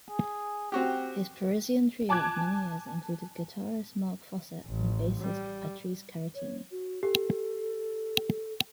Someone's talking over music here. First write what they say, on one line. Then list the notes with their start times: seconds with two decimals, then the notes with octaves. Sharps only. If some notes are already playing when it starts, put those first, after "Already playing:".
His Parisian trio of many years included guitarist Marc Fosset and bassist Patrice Carratini.
0.10 G#4
0.72 C4 F#4 G4 G5
2.09 G#5 A5 D6 F#6 G#6
4.66 A1
5.20 G3
6.35 C#5
6.71 F#4
7.03 G4 A4